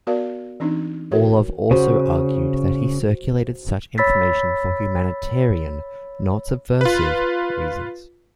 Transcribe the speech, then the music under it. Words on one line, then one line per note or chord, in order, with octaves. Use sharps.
Orlov also argued that he circulated such information for humanitarian, not subversive, reasons.
B3 F#4 A#4 D5 F5
E3 C4 D4 D#4
F#4 A#4 C#5
C#3 F#4 C5
C#5 B5 E6 A6 B6
F4 B4